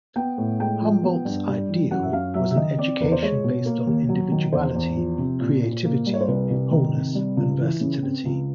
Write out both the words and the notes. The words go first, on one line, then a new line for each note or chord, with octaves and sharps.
Humboldt's Ideal was an education based on individuality, creativity, wholeness, and versatility.
B3 G5
A2
G#3 G5
F3
B3
G2
G3
E3
F#2 F#5
E5
F#2 F5
F#3 E5
E5
D#3 D#5
C4 D5
E2 B4
C5
G#3 C#5
B2
A#3
D#2
F#3
D#3
E2 C5
E2
F3
C3
A#2
A#2
A#3
G3
C#5
C5
C2 B4
C2
D#3
C3
G3
C#2
E3
C#3
C4
C#2